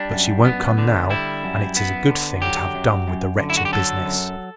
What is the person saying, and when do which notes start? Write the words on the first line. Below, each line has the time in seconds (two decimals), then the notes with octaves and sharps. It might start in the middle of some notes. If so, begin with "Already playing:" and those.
But she won't come now, and it is a good thing to have done with the wretched business.
Already playing: G3 D4
0.13 F#2
0.45 B3
0.78 D3
1.10 G3 E4
1.44 F#2
1.76 B3
2.10 D3
2.42 F#3 G4
2.75 F#2
3.08 F#2
3.39 D3
3.50 E4
3.57 F#4
3.65 G4
3.73 F#3 A4
4.06 F#2